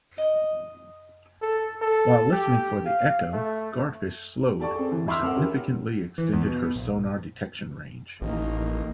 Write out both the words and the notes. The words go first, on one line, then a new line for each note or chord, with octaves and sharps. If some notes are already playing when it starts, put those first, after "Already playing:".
While listening for the Echo, "Guardfish" slowed which significantly extended her sonar detection range.
D#5
A4
A4
G4
F5
A3
G4 A4 D5 A5 C#6
C4 G#4 A4
E3
E5 B5 C6 D6 E6 F6
C4 A4 A#4 F#5
C#4 G4
E3
E2
B2
B2
A#1
A1 D#3 A#3